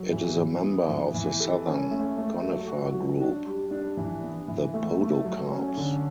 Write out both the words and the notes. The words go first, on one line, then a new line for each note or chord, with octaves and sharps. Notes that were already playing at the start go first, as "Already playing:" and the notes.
It is a member of the southern conifer group, the podocarps.
Already playing: F#3
E3
E3
B3
E3
E3
A4
C#4
A3
A3
F#3
F#4
F#3
D4
G3
D4
E3
B3
E3
A3
A3
F#3
C#4
D3